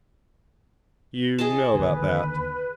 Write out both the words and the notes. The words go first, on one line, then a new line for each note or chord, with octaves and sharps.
"You know about that?"
G#4 D#5 A5
D#2 D3 B4